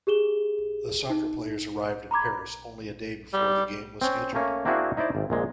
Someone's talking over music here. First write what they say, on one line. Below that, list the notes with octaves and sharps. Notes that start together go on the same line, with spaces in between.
The soccer players arrived in Paris only a day before the game was scheduled.
G4 G#4 E7 G7
D#4
A#5 B5 D6 G#6
G3
C4 C#4
A3 A#3 C#4
A#3 C4 D4 E4 F#4 G#4
D#4 E4 C5 D5
G#1
A#1 A#2 G#3